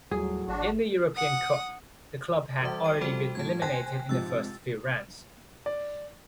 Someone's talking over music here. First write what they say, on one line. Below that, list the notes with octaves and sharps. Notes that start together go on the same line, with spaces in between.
In the European Cup, the club had already been eliminated in the first few rounds.
D#2 A2 F#3 G3 G#4
G#1 D4 F#4
F#5 D#6
E3 G3 F#4 A4 D5 E5
G5 D#7
F3 G3 C4 F#4 A4 C5
A2 F3 G3 A5 G#6
C5 G5 G#5 F#6 A#6
G#2 C3 F3 E6 A6
D5